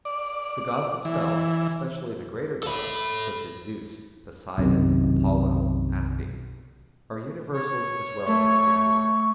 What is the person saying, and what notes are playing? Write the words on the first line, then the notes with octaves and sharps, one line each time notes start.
The Gods themselves, especially the greater Gods, such as Zeus, Poseidon, Apollo, Athene, are universals as well as individuals.
D5
E3
A4 B5
B1 F#2 C3 D#3
C#5
A3 C#6